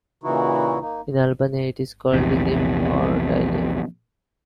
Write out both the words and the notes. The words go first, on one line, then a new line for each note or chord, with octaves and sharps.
In Albania it is called dynym or dylym.
A#2 C#3 E3 D#4 E4 F#4
A#3 D#4
A#1 E2 C3